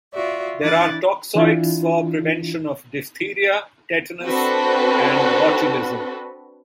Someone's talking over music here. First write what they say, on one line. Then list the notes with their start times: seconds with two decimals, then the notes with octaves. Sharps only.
There are toxoids for prevention of diphtheria, tetanus and botulism.
0.13 F4 F#4 D5 E5
0.60 E3 D4 E4 D6 F#6 A6
1.35 E3 D4 E4 F4
4.25 C4 D4 F#4 A4 B4